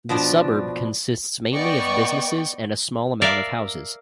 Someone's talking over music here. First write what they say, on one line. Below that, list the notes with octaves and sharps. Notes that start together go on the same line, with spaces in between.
The suburb consists mainly of businesses and a small amount of houses.
B2 F3 D4
B3 D5 D#5 G5 C#6
A#4 D5 E5 F5